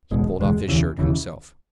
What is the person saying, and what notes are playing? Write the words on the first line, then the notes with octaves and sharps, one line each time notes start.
He pulled off his shirt, himself.
F#1 E2 B2 G#3
F#1 E2 B2 G#3
E1 D#2 C#3 E3
E1 D#2 C#3 E3